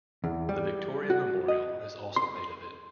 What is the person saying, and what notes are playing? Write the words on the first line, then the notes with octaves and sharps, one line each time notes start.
The Victoria Memorial is also made of it.
E2
G3
F#4
D#5
C6